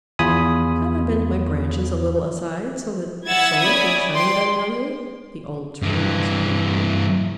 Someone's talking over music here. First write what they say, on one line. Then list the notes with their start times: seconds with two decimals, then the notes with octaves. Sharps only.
"Shall I bend my branches a little aside so that the sun can shine better on you?" the Old Tree asked politely.
0.19 E2 F4 G#5 B5 D#6
3.27 E4 F#5 E6 G#6 A6
3.60 C#4 D5 E5 B5 D#6 G#6
4.11 D5 G5 C6
5.82 G2 E3